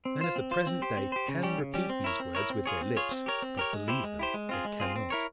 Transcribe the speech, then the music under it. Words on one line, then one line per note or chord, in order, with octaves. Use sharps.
Men of the present day can repeat these words with their lips, but believe them they cannot.
C4
F4 C5
C4
F4 C5
C4
G4 C5
C4
G4 C5
C#3
G3 C#4 G4
C#3
G3 C#4 G4
C4
E4 A#4 C#5
C4
E4 A#4 C#5
C4
F4 G#4 C#5
C4
F4 G#4 C#5
C4
G4 A#4 C#5
C4
G4 A#4 C#5
G#3
E4 G4 C5
G#3
E4 G4 C5
G#3
C4 F4 G#4
G#3
C4 F4 G#4
C4
E4 A#4 C#5